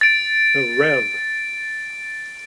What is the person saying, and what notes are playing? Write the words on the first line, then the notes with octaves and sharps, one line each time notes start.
The Rev.
A6 D7